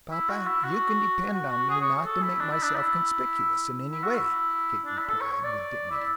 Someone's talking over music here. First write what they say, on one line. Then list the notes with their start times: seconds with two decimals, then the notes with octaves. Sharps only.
"Papa, you can depend on me not to make myself conspicuous in any way," Kate replied, with dignity.
0.11 E4
0.29 F#4
0.47 E4
0.64 F#4
1.35 F#4
1.52 F#4
1.70 G#4
1.81 C#5
2.05 A4
2.22 E4
2.40 D4
2.52 E4
2.63 D4
2.75 E4
3.92 E4
4.03 F#4
4.15 E4
4.86 D4
4.98 E4
5.09 A4
5.21 C#5
5.33 C#5
5.44 D5
5.91 E4